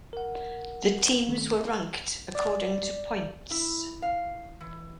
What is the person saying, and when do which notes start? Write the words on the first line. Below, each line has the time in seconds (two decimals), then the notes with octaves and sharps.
The teams were ranked according to points.
0.13 A#4 F#5
1.28 D#3 A3 C4
2.35 D5
3.51 E4
4.02 F5
4.61 E3